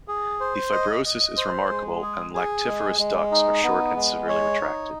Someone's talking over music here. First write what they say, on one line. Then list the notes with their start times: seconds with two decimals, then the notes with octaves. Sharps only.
The fibrosis is remarkable and lactiferous ducts are short and severely retracted.
0.08 G#4
0.40 C5
0.72 D#5
1.05 D#5
1.37 C5
1.69 G#3
2.03 G#4
2.34 G#4
2.67 G#3
2.99 G#3
3.31 D#4
3.64 B3
3.96 G#3
4.29 C#5
4.61 D#4